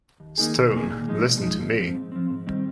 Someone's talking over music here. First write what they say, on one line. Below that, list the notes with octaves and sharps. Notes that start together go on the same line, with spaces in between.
Stone, listen to me.
D#2
D#3 A#3 D#4 G#4
D#2
D#3 A#3 D#4 G#4
A#2
F3 G#3 D#4
A#2
F3 G#3 D#4
G#2
F3 C4
G#2
F3 C4
G#2
D#3 G3 C4